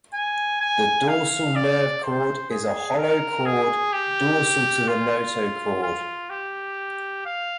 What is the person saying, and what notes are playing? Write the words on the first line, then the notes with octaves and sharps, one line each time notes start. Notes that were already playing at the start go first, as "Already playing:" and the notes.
The dorsal nerve cord is a hollow cord dorsal to the notochord.
G#5
G#5
F5
D5
C5
G#4
A#4
G#4
G4
F4
F4
G4
F5